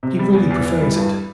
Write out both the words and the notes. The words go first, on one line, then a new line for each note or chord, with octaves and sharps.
He really prefers it.
C3
G3
E2
E2
E3
G3
G2